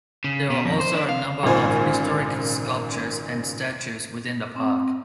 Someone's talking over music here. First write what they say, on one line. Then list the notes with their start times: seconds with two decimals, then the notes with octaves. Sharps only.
There are also a number of historic sculptures and statues within the park.
0.24 C#3
0.50 B2
0.65 F2
0.80 C5
0.94 D4
1.09 F5
1.43 G#1 A#2 C#3 C5 G#5
4.56 C4